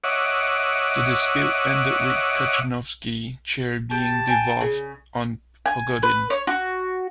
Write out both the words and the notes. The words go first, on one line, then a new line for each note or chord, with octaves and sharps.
The dispute ended with Kachenovsky's chair being devolved on Pogodin.
C#5 D#5 E5 F#5 D6
G4 A5
G5 G#5
C#3
G#5
B4
C#5
F#4